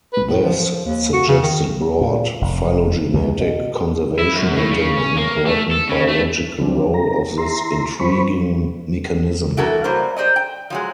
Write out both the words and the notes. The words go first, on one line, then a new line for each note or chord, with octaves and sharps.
This suggested broad phylogenetic conservation and an important biological role of this intriguing mechanism.
B4
A2
F3
F3
D#2
F#4
C#3
D#3
A#2
F1
C#2
B2
E4
F#2
A2
C#3
C#4
A#3
A3
A4
C#3
A3
F3 F#3 C4 D4
A#5
E4 A#5 C6
F3 F#3 C5 B5 C#6
E3 C#4 E4 F#4 A4 A#4
F#3 G3 A#3 A#4 C5
G4 C5 D5 D#5
G5
F3 F#3 G#3